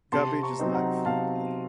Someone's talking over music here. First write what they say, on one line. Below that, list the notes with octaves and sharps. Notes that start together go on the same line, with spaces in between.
Garbage is life.
C3 A5 C6
A#5 C#6
F#3 C4 D#4
F#5 A#5
C3 F5 A5